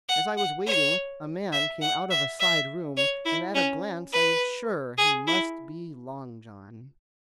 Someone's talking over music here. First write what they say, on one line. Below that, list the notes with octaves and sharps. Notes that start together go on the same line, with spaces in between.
As I was waiting, a man came out of a side room, and at a glance I was sure he must be Long John.
F#5
F#5
C#5
E5
F#5
E5
E5
C#5
E4
C#4
B4
G#4
E4